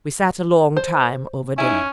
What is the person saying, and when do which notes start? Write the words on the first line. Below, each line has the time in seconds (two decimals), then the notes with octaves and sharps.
We sat a long time over dinner.
0.77 C5
1.58 C#4 D#4 E4 G#5